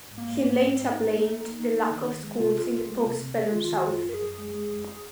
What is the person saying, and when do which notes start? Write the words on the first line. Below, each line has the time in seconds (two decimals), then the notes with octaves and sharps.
He later blamed the lack of schools in the postbellum South.
0.09 G#2
0.18 A#3
0.25 G#2
0.42 G#2 A#3
0.59 G#2
0.67 C4
0.76 G#2
0.91 G#2 D#4
1.08 A#3
1.25 A#3
1.42 A#3
1.58 A#3
1.74 A#3
1.91 D#3
2.07 D#3
2.24 G#3
2.39 C3 F4
2.57 C2
2.72 C2
2.90 G#3
3.05 C3
3.22 C3
3.39 G#3
3.51 F4
3.55 D#3
3.64 F4
3.72 D#3 F#4
3.89 F#2 F4
4.05 F#2 A#4
4.14 G#4
4.22 F#2
4.39 G#3
4.55 G#3
4.71 F#2